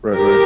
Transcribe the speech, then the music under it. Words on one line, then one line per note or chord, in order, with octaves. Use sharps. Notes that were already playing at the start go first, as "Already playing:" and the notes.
Right, right.
G4 A#4